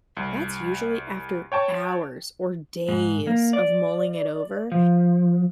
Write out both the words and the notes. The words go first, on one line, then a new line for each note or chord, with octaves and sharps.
that's usually after hours or days of mulling it over,
C2
C#5 G5 A5 C#6
G#2
A#3
D5
F3